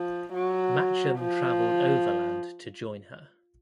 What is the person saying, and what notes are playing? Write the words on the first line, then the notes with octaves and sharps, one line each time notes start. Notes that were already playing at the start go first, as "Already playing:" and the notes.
Matcham travelled overland to join her.
Already playing: F3
F#3
F3